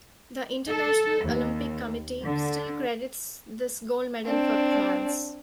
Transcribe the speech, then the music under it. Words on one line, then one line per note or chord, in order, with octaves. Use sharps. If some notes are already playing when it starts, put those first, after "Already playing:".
The International Olympic Committee still credits this gold medal for France.
A4
D#2
D3
C4 D4